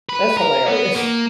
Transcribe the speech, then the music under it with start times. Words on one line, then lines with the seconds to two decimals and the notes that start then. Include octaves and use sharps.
That's hilarious.
0.09 B4
0.37 A#4
0.66 B3
0.95 A#3